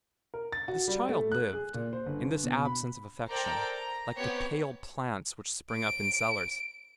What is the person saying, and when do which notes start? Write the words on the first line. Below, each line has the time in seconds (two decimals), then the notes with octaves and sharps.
This child lived, in this absence of affection, like the pale plants which spring up in cellars.
0.34 A#4
0.52 A6
0.68 F#4
0.88 G3
1.08 A3
1.32 F#6
1.53 G#4
1.74 A#2
1.93 C5
2.06 G1
2.44 B2
2.65 B5
3.30 A4 A#4 C5 D5 G5 A#5
3.70 A#5
4.17 B3 C4 G4 C#5
5.72 D7